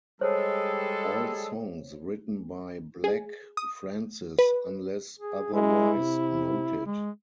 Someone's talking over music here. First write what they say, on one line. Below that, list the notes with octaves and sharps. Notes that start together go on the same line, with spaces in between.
All songs written by Black Francis unless otherwise noted.
G3 G#3 A4 C5 C#5
G#4
D#6
B4
G#4
G#3 E4
C3
G#3